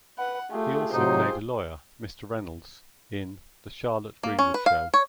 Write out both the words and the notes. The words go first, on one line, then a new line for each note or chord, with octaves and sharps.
He also played a lawyer, "Mr. Reynolds," in "The Charlotte Greenwood Show".
B4 F#5
A3 F4 G4 G#4
A2 C3 F#3 D#4 C5
A#3
C#4
B4
F5
C#5